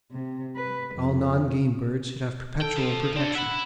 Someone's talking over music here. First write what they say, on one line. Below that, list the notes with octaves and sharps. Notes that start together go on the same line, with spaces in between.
All non-game birds should have perpetual protection.
C3
B4
F2
A4 G5
F3
C4 D4 A4
E5 F#5 B5